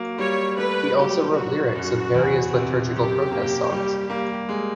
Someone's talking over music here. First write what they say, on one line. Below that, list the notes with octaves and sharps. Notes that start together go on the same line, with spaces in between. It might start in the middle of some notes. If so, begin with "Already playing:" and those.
He also wrote lyrics of various liturgical protest songs.
Already playing: F#3 A#3
G3 C#5
A3 B4
F#3 G4
F#3 F#4
F#2
E2
C3
F#2 G4
A#3
G3
A#3
G#3